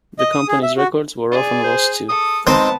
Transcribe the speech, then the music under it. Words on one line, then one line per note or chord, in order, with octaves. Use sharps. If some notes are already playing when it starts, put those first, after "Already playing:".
The company's records were often lost too.
D#5
D#6
G#4
E5
F#4
G#4 D5
C5
A4 D#6
G#3 B3 C4 D#4 C5 A5